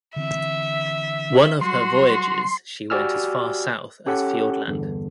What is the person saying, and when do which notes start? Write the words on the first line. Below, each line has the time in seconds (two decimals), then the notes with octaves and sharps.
One of her voyages she went as far south as Fiordland.
0.16 D3 E3 C4 E5
1.61 F#3 G3 F#4 C6
2.90 F#4 G4 D5 G#5 E6 F6
4.06 C#4 G4 A4 F#5
4.67 E2 G2 D3